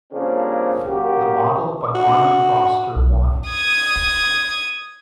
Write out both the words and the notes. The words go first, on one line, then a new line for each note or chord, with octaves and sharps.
The model by Norman Foster won.
C#3 F3 G3 A#3 C4 D4
F#2 A#3 F#4 G4
F#4
B1
D#6 G#6